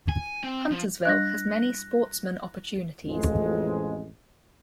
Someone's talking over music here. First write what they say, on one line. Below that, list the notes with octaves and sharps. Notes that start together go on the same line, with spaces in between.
Huntersville has many sportsman opportunities.
G#5
C4
F3
G3 D4 D#5 F#6 A#6
A1 F2 G#3